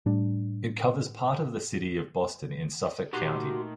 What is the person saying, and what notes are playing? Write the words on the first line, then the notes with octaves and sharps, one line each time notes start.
It covers part of the city of Boston in Suffolk County.
A2 G3 D4
A#2 D#3 A3 F#4 G4 C6